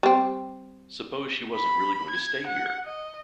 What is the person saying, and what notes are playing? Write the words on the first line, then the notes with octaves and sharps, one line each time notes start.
Suppose she wasn’t really going to stay here!
G3 C4
B5
G#6
F#5
D#5